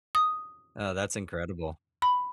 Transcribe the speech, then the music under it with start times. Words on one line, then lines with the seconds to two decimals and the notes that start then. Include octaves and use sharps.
Oh, that's incredible.
0.15 D#6
2.02 B5